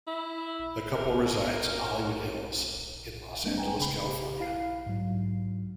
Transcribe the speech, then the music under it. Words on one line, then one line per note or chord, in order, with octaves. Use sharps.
The couple resides in Hollywood Hills in Los Angeles, California.
E4
A#4
G3 G#3 A#3 C4 D4
B4 G5 G#5 A#5
C#3 B5
G4
E4 F5 C7
G#2 F#3